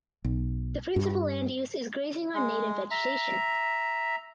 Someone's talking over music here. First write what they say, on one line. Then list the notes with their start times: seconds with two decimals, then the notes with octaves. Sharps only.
The principal land use is grazing on native vegetation.
0.25 B1
0.96 G2
2.34 G#3
2.91 E5 A#5